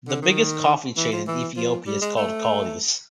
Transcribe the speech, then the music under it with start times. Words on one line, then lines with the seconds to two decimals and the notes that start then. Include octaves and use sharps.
The biggest coffee chain in Ethiopia is called Kaldi's.
0.08 D3
0.22 D#3
0.97 E3
1.12 F3
1.27 E3
1.57 F3
1.86 G3
2.02 G#3
2.16 A3